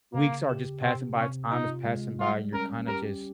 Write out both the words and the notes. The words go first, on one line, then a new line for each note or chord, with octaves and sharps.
weeks are just passing by, time is passing by, you're kinda just
C#3 A#3
G4
C3 C4
C3 C#4
D#4 F4
G#3
G3 F4
C#4 A#4
G4 A#4